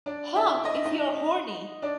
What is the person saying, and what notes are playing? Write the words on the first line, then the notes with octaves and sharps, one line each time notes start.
Honk if you are horny!
D4 D5
E4 E5
D#5
E5
D#4 D#5
D4 D5